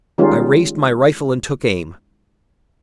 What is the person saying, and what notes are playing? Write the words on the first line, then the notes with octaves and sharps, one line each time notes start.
I raised my rifle and took aim.
D#3 G3 G#3 C#4 D#4 F4